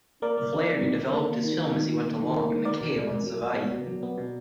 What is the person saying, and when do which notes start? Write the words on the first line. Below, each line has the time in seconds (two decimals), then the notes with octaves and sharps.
Flaherty developed his film as he went along, in a cave on Savai'i.
0.22 A#3 A#4 D5
0.37 A#3
0.53 A#3
0.68 A#3
0.83 D#3
0.99 D#3
1.14 A#3
1.28 A#3
1.44 D#3
1.59 A#3
1.75 D#3
1.89 D#3
2.04 A#3
2.20 D#3
2.36 A#3
2.50 D#3
2.65 B3 A#4 D5
2.81 B2
2.96 B2
3.11 B2
3.27 F#3
3.42 B2
3.57 B3
3.72 B2
3.87 F#3
4.03 B3
4.18 B2